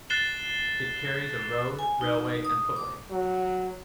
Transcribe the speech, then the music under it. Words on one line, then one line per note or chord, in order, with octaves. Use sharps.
It carries a road, railway and footway.
F#6 A6 C7 E7 G7
G#5
D#4
D#6
D6
F#3